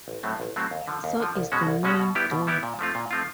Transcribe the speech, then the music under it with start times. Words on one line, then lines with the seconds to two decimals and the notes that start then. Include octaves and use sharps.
So is the main door.
0.08 A1
0.23 A2 F#3 A3 C4
0.40 A1
0.56 A2 F#3 A3 C4
0.71 D#2
0.88 D3 F3
1.04 D#2
1.20 D3 F3
1.35 C2
1.52 B2 G#3 C#4 F#4
1.67 C2
1.83 B2 G#3 C#4 F#4
1.99 B2
2.15 G3 B3 E4 G4
2.31 B2
2.47 G3 B3 E4 G4
2.63 A#2
2.79 F3 A3 C4 F4
2.95 A#2
3.11 F3 A3 C4 F4